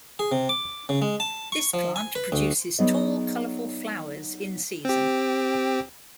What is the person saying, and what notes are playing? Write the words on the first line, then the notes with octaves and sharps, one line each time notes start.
This plant produces tall colorful flowers in season.
G#4
C3
D6
C#3
G#3
A5
C#6
F3
G#5
B4
D2
F#3 B3 D#4 G#4 D5 D#5
C4 G4